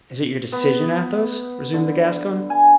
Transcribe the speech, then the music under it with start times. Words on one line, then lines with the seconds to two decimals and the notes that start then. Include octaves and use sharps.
"Is it your decision, Athos?" resumed the Gascon.
0.52 B3
1.74 D3
2.50 G#5